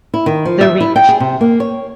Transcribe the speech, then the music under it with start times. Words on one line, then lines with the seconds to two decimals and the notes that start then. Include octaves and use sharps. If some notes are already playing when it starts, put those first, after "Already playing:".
The Reach!
0.14 E4
0.26 D#3
0.45 F3
0.61 E5
0.81 E4
0.96 G5
1.09 G#4
1.20 C3
1.41 A#3
1.60 C#5